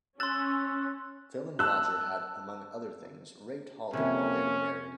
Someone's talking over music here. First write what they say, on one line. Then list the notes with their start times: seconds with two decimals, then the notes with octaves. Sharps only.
Villain Roger had, among other things, raped Holly while they were married.
0.20 C#4 C6 E6 F#6 A6
1.59 A5 E6 F#6
3.93 F2 C3 A#3 C#4